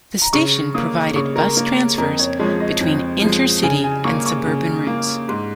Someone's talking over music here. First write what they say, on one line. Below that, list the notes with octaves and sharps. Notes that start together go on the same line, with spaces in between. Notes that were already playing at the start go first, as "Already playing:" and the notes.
The station provided bus transfers between inter-city and suburban routes.
A#5
C#3 C#6
A#3 D#6
C#3 C#6
A#4
A#3 A#4
F2 A#4
C#5
F3 G#3 C#5
D#5
F2
F3 G#3
C#3 G#5
G#5
A#3 C#6
C#6
C#3
A#3
G#2